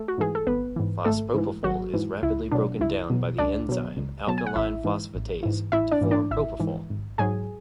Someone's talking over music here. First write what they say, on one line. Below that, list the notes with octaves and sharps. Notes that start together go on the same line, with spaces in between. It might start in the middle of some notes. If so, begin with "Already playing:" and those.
Fospropofol is rapidly broken down by the enzyme alkaline phosphatase to form propofol.
Already playing: A3 A4
F#4
G#2 E3 G#4
A4
G#1 B3 B4
G#2 E3
G#1 A3 A4
G#2 E3
G#1 F#3 F#4
G#2 E3
C#2 E4
B2 F#3 D4
C#2 E4
B2 F#3
C#2 D4 D5
B2 F#3
C#2
B2 F#3 A5
G#5
F#5
A1 E4 E5
G#2 E3
A1
G#2 E3
A1 E4 E5
D4 D5
G#2 E3
D4 D5
A1 E4 E5
G#2 E3
G#1
G#2 F#3 G#4 G#5